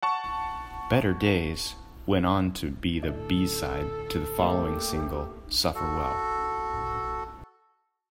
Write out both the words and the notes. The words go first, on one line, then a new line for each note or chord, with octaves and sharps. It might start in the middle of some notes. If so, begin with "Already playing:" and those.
"Better Days" went on to be the B-side to the following single, "Suffer Well".
F#5 A5 C#6
A2 D3 A4 D5
A3 A#3 G4
F#4 A4